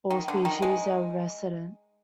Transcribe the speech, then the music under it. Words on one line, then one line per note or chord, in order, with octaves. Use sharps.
All species are resident.
D#3
D3
D#3
G#3